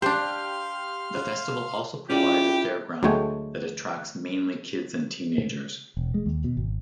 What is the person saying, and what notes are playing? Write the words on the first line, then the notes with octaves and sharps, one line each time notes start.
The festival also provides a fairground that attracts mainly kids and teenagers.
D4 G4 C5 F5 C6 F6
C#4 E4 F4 G4 G#4 D5 G5
D2 F#3 G#3 A3 C#5 G5
E1
G#3
D#2
B2
G#1